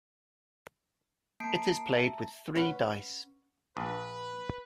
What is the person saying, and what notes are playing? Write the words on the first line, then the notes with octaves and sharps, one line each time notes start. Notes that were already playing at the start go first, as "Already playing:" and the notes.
It is played with three dice.
A#3 A5 A#5 C7 D7
E5
C#4 B4 F#5
A#1 B4